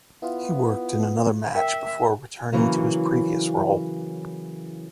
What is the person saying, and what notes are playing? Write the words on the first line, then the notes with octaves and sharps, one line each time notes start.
He worked in another match before returning to his previous role.
B3 E4 F4
A#4 E5 G5
C#3 E3 F#3 A#3